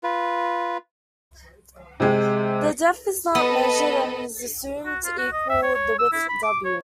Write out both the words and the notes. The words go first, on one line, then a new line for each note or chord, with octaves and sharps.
The depth is not measured and is assumed to equal the width "W".
F4 B4
C3 G#3 G4
B3 A4 B4 D#5
F#4
F4
F#4
D#5
E5
C#5
C#5
E6
E4
B5
D6
C#5